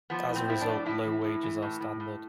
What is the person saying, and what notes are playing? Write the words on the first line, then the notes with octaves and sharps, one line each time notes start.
As a result, low wages are standard.
F3 B3
A2
C4
F3 E4
D4
A2
A2 E4
E3
A2
E3
A2
A2
A2